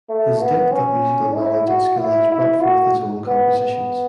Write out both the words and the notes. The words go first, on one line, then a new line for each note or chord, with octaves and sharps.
His depth of musical knowledge and skill has brought forth his own compositions.
A3
B3
C#4
E4
F#4
E4
E4
F#4
B3
B3